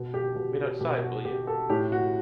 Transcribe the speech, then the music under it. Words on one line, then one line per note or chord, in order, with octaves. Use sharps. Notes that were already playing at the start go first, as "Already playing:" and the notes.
Wait outside, will you.
Already playing: B2
G4
B2 G4
B2 G4
F#4
B2 G4
A4
A2 G4
F#4